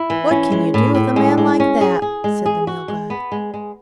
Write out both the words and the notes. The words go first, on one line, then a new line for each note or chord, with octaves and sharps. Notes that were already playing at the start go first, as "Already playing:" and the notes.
'What can you do with a man like that?' said the Nilghai.
Already playing: E4
E3
C#4
G#3
A2
A2
G#3
G#3
C#4
G#4
G#4
G#3
G#4
F#4
G#3
B3
G#3
G#3